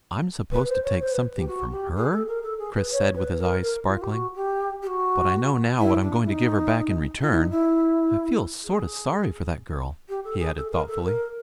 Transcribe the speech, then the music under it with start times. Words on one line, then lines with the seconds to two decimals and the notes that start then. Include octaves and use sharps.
"I'm supposed to take something from her," Chris said with his eyes sparkling, "but I know now what I'm going to give her back in return. I feel sort of sorry for that girl," he added thoughtfully.
0.52 B4
0.69 C5
0.84 C#5
1.00 C5
1.11 B4
1.36 G4
1.47 F#4
1.71 G4
1.96 G#4
2.12 A4
2.28 A#4
2.43 A4
2.59 G#4
2.75 B4
2.92 C#5
3.15 B4
3.38 A#4
3.62 A#4
3.87 F4
4.01 G4
4.10 F#4
4.35 G4
4.82 G4
4.87 F#4
5.78 E4
6.01 D4
6.25 E4
6.30 D#4
7.21 F4
7.30 E4
7.40 D#4
7.50 E4
8.64 G#4
10.09 G4
10.24 A4
10.39 G#4
10.56 A4
10.71 A#4
10.88 A4
11.04 A#4